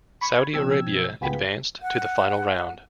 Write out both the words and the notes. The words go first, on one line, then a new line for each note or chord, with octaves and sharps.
Saudi Arabia advanced to the Final Round.
B5 C#6 G#6
B2 F3 C4 D4 E6 G#6
C#2 B3 F4 G4 G#4 B5
F#5